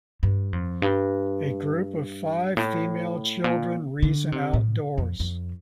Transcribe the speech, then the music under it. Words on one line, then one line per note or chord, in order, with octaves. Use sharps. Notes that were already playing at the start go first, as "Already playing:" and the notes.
A group of five female children reason outdoors.
G2
F2
G2
A2
A#2
D3
C3
A2
F2
F2